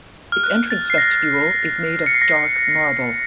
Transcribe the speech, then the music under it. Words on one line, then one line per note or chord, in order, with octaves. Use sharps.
Its entrance vestibule is made of dark marble.
F6
F#6
A6
C7
A#6
C#7
C7
A#6
C7